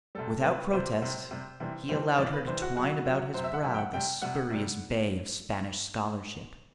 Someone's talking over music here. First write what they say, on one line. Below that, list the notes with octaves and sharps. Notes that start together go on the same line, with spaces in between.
Without protest, he allowed her to twine about his brow this spurious bay of Spanish scholarship.
C3 G3 A4
C3 G3 B4
C3 G3 C5
C3 G3
C3 G3
C3 E3 G3
C3 E3 G3 C5
C3 E3 G3 D5
B4
C3 E3 G3 C5
F#4
C3 F#3 F#4
C3 F#3
C3 F#3 C5
E5
F#5
C3 F#3 E5
G5
F#5
C3 G3 G5
C3 G3 F#5
C3 G3